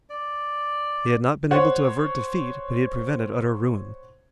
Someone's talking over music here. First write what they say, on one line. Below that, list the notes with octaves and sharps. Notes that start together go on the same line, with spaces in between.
He had not been able to avert defeat, but he had prevented utter ruin.
D5
C5 C#5 F#5